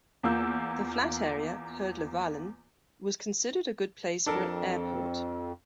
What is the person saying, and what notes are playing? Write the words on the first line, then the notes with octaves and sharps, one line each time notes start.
The flat area "Herdlevalen" was considered a good place for an airport.
E2 A#3 F4 E6 G6
F2 D4 A4 A#4